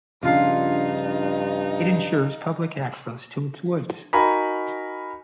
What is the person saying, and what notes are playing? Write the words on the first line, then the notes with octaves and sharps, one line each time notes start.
It ensures public access to its woods.
G2 C#3 F3 D4 D#4 F4 F5
D#4 F#4 A#4 G#5 A#5 B5